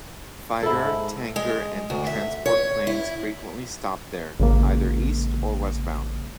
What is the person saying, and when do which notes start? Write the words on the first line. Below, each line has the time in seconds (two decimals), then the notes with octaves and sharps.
Fighter, tanker and transport planes frequently stopped there, either east or westbound.
0.63 G#2 E4 A4
1.36 G#3
1.90 D2
2.06 E5
2.46 C#5
2.87 E4
4.40 A1 C#3 G#3 A#3